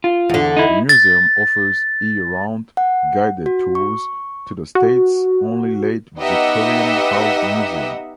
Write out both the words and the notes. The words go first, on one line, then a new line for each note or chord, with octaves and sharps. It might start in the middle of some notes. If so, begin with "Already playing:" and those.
The museum offers year-round guided tours to the state's only late Victorian house museum.
F4
E2 D3
D#4 E4
A6
F#5
F#4
C#6
F#4
B3 D#4 G4 D#5 E5 F#5